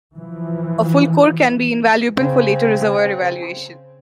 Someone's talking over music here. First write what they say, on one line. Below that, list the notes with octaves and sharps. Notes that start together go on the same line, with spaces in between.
A full core can be invaluable for later reservoir evaluation.
E3 F3
C#3 C4